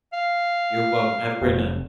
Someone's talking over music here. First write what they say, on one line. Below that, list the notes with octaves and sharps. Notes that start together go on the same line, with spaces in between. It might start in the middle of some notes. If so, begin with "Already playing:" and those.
you're welcome, have a great night.
F5
F1